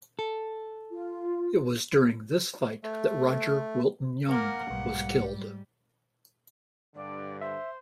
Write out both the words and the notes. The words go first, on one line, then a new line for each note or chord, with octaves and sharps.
It was during this fight that Rodger Wilton Young was killed.
A4
F4
A3
A#3 A#4 F#5
B1 G#2 G3
G2 D3 D5
C5 E5